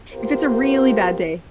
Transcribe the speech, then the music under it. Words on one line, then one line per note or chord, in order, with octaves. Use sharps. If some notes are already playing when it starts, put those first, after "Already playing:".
If it's a really bad day
B3 F4 G4 A#4 C5